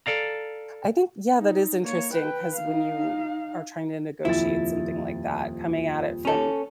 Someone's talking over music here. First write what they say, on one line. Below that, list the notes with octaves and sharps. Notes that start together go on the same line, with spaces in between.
I think, yeah, that is interesting ‘cause when you are trying to negotiate something like that, coming at it from
A4 D5 F5 A#5
D#4
A#3 C#5
B4 G5
D#4 F5
D#1 F2 E4 A6
C#4 A4